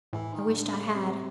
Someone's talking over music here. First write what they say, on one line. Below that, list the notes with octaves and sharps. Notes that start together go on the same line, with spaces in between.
I wisht I had.
A2 E3
D#3
D3
C#3
C3